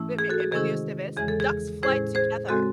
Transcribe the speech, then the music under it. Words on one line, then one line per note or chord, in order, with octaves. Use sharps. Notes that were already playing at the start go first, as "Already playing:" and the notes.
With me Emilio Estevez. “Ducks fly together.”
Already playing: G#2 E3 A3 C#4 E4
G#4
F#4 A4
G#4
C3 D#3 G#3 C#4 E4 G#4
E2 C#3 E3 G#3 G#4
A4
G#4
A2 G#3 C#4 E4 G#4 C5
G#4 C5
C#3 G#3 C4 F#4 A4